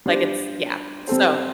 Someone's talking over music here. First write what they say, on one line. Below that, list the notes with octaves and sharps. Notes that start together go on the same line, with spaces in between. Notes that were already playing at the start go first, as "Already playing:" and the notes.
like it's, yeah, so
G3 D4 C5
G3 C4 A4 C5